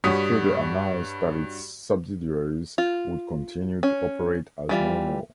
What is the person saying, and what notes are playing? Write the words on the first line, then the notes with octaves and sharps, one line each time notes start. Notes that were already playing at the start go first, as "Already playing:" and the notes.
It further announced that its subsidiaries would continue to operate as normal.
G2 G3 F#4 C#5 D#6 B6
F4
C#4
E3 G3 F4